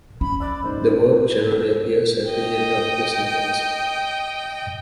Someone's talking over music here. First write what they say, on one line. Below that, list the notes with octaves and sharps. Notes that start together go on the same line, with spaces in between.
The verb generally appears at the end of the sentence.
C#4 B5
D5 E6 F#6
C#2 G#2 C5
B4 C#5
D#5 G5